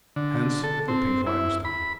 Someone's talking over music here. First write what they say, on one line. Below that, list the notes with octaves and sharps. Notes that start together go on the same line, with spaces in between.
Hence the pink limestone.
D3
A4
C4
E4
B5